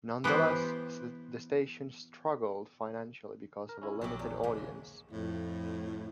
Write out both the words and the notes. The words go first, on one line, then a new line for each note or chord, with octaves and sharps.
Nonetheless, the station struggled financially because of a limited audience.
E3 B3 G4 B4 C5
A#4
C#4 E4
A#1 F#3 G4
E2
D#2 G#2 C#3
F2 A2